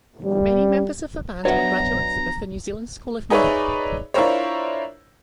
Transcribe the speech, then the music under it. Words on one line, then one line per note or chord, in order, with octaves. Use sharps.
Many members of the band are graduates of the New Zealand School of Music.
G3
F#3 B3 D4 C#5 E5 F#5 A#5
D#4 G#4 B4 C#5 D5 E5
D4 E4 F4 A#4 C5 C#5